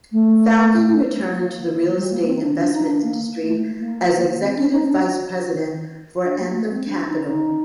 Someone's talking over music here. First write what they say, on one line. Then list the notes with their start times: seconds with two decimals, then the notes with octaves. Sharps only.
Falcon returned to the real-estate investment industry as executive vice-president for Anthem Capital.
0.12 A3
1.31 A3
1.35 A#3
1.96 G3
2.11 A#3
2.26 C4
2.36 D#4
2.41 D4
2.57 D4
2.73 D#4
2.87 D4
3.03 A#3
3.41 A#3
3.49 A3
3.80 A#3
4.41 C4
4.55 D4
4.71 D#4
4.87 D4
6.24 D4
6.39 A#3
6.55 A3
6.71 C4
6.85 D4
7.05 D#4
7.26 D#4